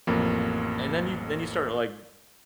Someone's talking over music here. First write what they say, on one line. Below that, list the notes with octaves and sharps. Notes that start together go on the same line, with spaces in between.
And then you then you start, like,
A1 F2 A#3